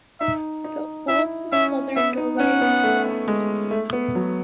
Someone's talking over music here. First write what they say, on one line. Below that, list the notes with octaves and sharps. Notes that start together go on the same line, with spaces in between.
The old southern doorway is blocked.
D#4 E5
D#4
E4 E5
C#4 E5
B3 E5
D#4
C#4 F#5
B3
A3
G#3
A3
B3
F#3